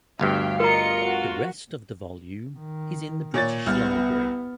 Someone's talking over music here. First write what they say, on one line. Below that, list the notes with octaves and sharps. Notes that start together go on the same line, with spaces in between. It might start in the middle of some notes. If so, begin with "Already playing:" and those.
The rest of the volume is in the British Library.
G1 D2 G2 E5 F5 G5
F4 A#4 D#5 A#5 C#7
F#4
D#3
A#2 C#5 A6
C2 B3 F6